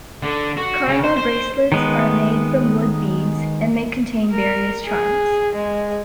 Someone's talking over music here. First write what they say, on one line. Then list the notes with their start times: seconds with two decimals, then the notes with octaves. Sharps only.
Karma bracelets are made from wood beads and may contain various charms.
0.23 D3
0.57 F#4
0.87 C#3
1.04 C5
1.16 C5
1.72 D#3 G#3 B3
4.31 A#4
4.85 G#4
5.55 G#3